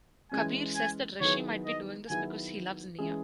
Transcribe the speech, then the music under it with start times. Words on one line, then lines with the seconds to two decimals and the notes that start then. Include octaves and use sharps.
Kabir says that Rishi might be doing this because he loves Niya.
0.32 E3 G#3 C#4 G#5
0.76 G#5
1.20 D#3 F#3 B3 E4 G#4 C#5
1.65 D#5
2.09 D#3 F#3 B3 E4 G#4 G#5
2.99 E3 G#3 C#4 G#4